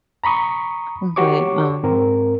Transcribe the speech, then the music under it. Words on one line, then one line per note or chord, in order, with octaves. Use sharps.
but, um
A#5 B5 C#6 D#6
F#4 G4 C#5 C#6 D6
G#2 C4 A#4